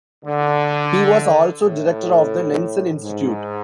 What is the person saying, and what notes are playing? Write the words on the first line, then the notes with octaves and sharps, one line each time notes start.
He was also director of the Nansen Institute.
D3
A2
G#2